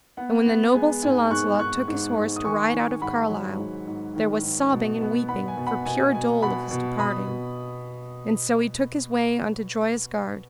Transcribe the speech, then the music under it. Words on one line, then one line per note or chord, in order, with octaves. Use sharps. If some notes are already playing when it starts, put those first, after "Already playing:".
And when the noble Sir Launcelot took his horse to ride out of Carlisle, there was sobbing and weeping for pure dole of his departing; and so he took his way unto Joyous Gard.
B3 F#5
B3
G#3 G#5
G#2 G#5
G#2 C#6 F#6
G#2 C#6 F#6
G#2
G#2
D#6
D#3 G#5 C#6
D#3
G#2 F#5 B5
F#3
G#2
G#2
D#3
G#2
B2
B3
B3 F#5 B5
G#5
B2
F#5 B5
B2 G#5
B2 G#5
B2 F#5 B5
B2
B2 B5 D#6
B2